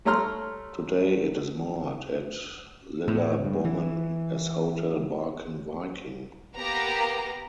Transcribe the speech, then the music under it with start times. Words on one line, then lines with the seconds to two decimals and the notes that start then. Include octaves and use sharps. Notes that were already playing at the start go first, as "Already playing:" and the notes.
Today it is moored at Lilla Bommen as hotel "Barken Viking".
0.05 G3 A3 C#5 A#5 C6 F6
3.08 A2
3.44 G2
3.65 E3
6.58 A#3 B3 G4 A#5